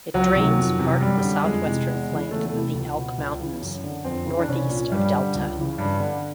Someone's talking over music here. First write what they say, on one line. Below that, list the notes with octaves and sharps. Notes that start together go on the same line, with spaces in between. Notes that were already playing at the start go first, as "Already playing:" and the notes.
It drains part of the southwestern flank of the Elk Mountains northeast of Delta.
C#2 F#3
C3 D#3
F2
C3 E3
F#2 G3
D3
F2 G#3
C3 E3
E2
C#3 E3
E2 A3
A3
C3 E3
C#2
B2
C#2
C#3 E3
F#2
D3
F2 C4
C#3 E3
D4
C2 C#4
A#2
G2 G3
D3
C#2
C#3 E3
G2
D3